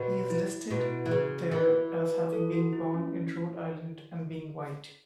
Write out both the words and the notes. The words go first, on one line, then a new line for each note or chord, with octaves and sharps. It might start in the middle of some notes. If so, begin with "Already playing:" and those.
He is listed there as having been born in Rhode Island and being white.
Already playing: B2 F#4
E4
B2 F#4
E4
F#4
E3
C#3
E3
A4
F#4
E4
C#4